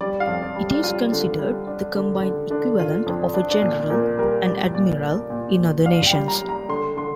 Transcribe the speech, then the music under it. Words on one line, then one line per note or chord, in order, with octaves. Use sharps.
It is considered the combined equivalent of a general and admiral in other nations.
G3 D5
F5
F2
D5
G3
D4
G3 F4
D3
G3
D4
D3
D3
D3 D4
D3 F4
F2 D4
D4
D4
A#2 F4
A#2 A#4
G3 A#4
G3 D5
A#2 D5
D4
A#2
A#2
D4 F5
G5
G3
A#5
G3
A#5
D3 C6
D3 C6